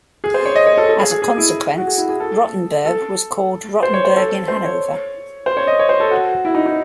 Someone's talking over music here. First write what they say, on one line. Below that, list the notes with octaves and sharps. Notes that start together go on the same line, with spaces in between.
As a consequence, Rotenburg was called "Rotenburg in Hannover".
G#4
C5
C#5
D#5
C#5
A4
A4
G#4
G#4
G#4
E4
F#4
G#4
E4
G#4
A4
A4
C5
C#5
C5
A4
C5
C#5
C5
C#5
D#5
C#5
C5
A4
F#4
E4
D#4
D#4